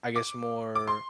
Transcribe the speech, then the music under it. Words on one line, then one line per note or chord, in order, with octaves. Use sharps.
I guess, more
D6
D6
C6